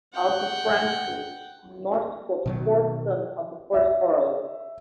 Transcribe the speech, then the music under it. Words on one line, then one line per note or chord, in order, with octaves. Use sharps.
Arthur Francis Northcote, fourth son of the first Earl.
F#5 G5
B2 D#3 F#3
E5